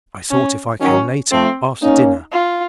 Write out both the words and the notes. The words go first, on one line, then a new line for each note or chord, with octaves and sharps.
I thought if I came later, after dinner.
C#4
D#3 F#3 C#4
F3 A3 C4
A#3 C#4 D#4
F4